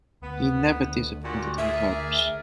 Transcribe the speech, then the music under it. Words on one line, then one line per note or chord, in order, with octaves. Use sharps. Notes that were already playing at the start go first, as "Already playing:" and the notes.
He never disappointed her hopes.
D2 B3
A#2 F#4 G4
G#4 A#4 D5 E5